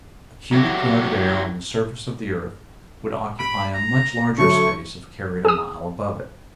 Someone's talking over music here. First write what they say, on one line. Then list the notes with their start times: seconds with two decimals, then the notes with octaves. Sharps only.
A cubic yard of air on the surface of the earth would occupy a much larger space if carried a mile above it.
0.52 F#3 E4 F#4 G4
3.39 B5 D7
3.75 A#5
4.38 D2 F#3 C#6
5.45 G#4 D#6